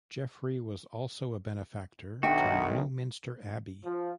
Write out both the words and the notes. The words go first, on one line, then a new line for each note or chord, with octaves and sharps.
Geoffrey also was a benefactor to Newminster Abbey.
B1 D#3 D4 F#4 E5 G5
F3